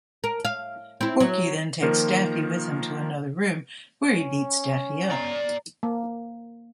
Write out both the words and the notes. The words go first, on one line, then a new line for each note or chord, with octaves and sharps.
Porky then takes Daffy with him to another room, where he beats Daffy up.
A#4
F5
C4 E4
F#3
D#3 F3 A#3 F4 A#4
C#4
D5 A#5
A#3